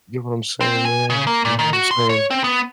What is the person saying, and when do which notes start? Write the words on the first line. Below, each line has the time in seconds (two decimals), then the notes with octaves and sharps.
You know what I'm saying, man? You know what I'm saying?
0.61 C4
0.85 G#5
1.10 C#3
1.27 A#3
1.45 A#2
1.59 D#3
1.73 F#4
1.91 C6
2.09 C#5
2.30 C4
2.44 B3